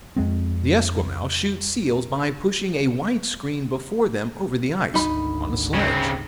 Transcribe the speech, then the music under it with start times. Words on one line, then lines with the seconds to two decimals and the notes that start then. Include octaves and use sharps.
The Esquimaux shoot seals by pushing a white screen before them over the ice, on a sledge.
0.16 F2 G#3 C4
4.94 G#1 D2 D#4 B5
5.74 C#3 C4